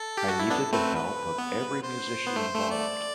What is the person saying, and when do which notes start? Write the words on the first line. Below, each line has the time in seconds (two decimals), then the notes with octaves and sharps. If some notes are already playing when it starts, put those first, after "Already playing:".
I needed the help of every musician involved.
Already playing: A4
0.17 G4
0.28 F#4
0.39 E4
0.50 B3 D4 A4
0.72 A3 C4 B4
0.95 B4
1.38 B3
1.83 C5
2.26 B3
2.36 A3
2.54 A3
2.71 D5